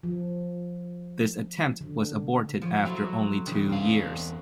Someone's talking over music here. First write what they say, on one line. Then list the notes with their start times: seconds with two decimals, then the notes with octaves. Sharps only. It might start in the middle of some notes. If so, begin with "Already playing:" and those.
This attempt was aborted after only two years.
0.03 F3
1.81 D3
2.62 F3 C#5
2.85 F#3 E4 F4 A4
3.46 G2 C#3 E3
3.69 E2 C4 F5